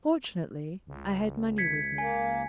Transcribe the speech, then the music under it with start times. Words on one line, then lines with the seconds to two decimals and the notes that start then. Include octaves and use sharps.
Fortunately I had money with me.
0.87 C#2
1.58 G#6 B6 C#7
1.98 A#3 G#5